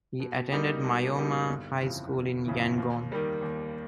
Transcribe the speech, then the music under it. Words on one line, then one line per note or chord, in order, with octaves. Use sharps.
He attended Myoma High School in Yangon.
B2
G3 A#3 D#4 G4
B2
G3 A#3 D#4 G4
G1
F2 C#3 E3
G1
F2 C#3 E3
D#2
D#3 G3 A#3
D#2